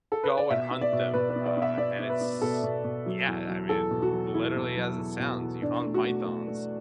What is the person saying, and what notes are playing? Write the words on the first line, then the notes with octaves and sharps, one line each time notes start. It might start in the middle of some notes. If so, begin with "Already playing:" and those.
go and hunt them, uh, and it's yeah, I mean, literally as it sounds, you hunt pythons.
A4
B4
D5
B2 E5
B3
D5
B2
B2 B4
B4
B3
D5
B3
E5
B3 D5
B3
B4
B3
B2 A4
B2
B2
F#3
E2
F#3
E2 A4
B2
F#4
F#3
E2 E4
B2
F#3
E2
B2
E2
B2 D4
A3
F#4
A3
A3
A3